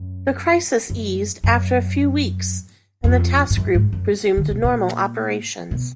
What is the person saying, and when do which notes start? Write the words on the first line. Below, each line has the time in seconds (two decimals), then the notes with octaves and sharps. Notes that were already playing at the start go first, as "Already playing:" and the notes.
The crisis eased after a few weeks, and the task group resumed normal operations.
Already playing: F#2
0.90 F#2
1.44 F#2
3.04 F2
3.50 G#2
3.57 F#2
3.75 G#2
3.93 F#2
4.37 D3
4.51 B2
4.64 A#2
5.71 B2